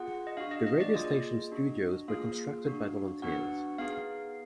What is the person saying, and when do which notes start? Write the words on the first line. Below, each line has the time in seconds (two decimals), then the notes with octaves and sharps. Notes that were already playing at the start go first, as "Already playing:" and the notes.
The radio station studios were constructed by volunteers.
Already playing: B3 F4 G#4 F#5
0.27 D#5
0.37 D4 F#4 F5
0.51 D#5
0.66 D#5
0.80 D5
0.94 A#3 F4 G#4 D#5
1.52 D4 F#4
2.08 A#3 F4 G#4 F5
2.65 D4 F#4
3.22 B3 D4 F#4 F#5
3.78 B3 D#4 G#4 F5